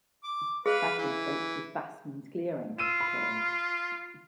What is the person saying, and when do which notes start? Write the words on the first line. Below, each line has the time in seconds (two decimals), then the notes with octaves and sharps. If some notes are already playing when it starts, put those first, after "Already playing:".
'Bassenthwaite' is 'Bastun's clearing', pers.
0.24 D6
0.66 G#4 B4 F5
0.98 E3
2.78 F4 E6 D#7 E7
3.01 B5